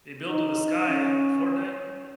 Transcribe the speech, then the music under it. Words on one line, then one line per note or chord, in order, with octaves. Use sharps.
They build to the sky in Fortnite?
D#4
C#4